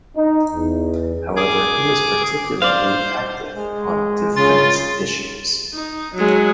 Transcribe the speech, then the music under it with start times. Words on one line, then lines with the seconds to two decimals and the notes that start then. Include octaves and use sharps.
However, he was particularly active on defense issues.
0.17 D#4
0.54 E2
1.36 G#4 D6
2.62 C5 D5 F5
3.57 G#3
4.36 C#3 F4 A6
5.74 D#4
6.15 F#3 G#3